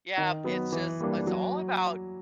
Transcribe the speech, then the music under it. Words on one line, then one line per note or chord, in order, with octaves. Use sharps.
Yep, it's just it's all about
D#3
F#3 B3
E3
G3 A#3 D4
F#3